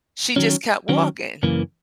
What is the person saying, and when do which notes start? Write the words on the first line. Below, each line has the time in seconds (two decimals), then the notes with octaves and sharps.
she just kept walking,
0.36 D#3 F#3 C#4
0.89 D#3 F#3 C#4
1.43 F#2 C#3 E3 A#3